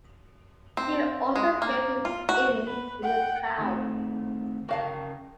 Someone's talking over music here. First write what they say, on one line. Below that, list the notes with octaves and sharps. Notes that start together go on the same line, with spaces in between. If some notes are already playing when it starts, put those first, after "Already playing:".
He also built an inn in the town.
C4
G#3
A#3
F4
F#4
B4
F#5 G5
D#3 A3 C4
C#3 F#4 A#4 F5 G5 A5